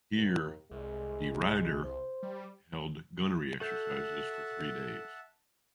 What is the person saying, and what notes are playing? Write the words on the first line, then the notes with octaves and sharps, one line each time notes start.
Here "De Ruyter" held gunnery exercises for three days.
D#2
C2 G#3
C5
G3
F#4 A4 E5 F#5 A5 G6